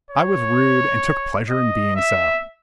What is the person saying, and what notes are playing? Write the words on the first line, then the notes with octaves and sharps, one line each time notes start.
I was rude and took pleasure in being so.
C#5
D#5
E5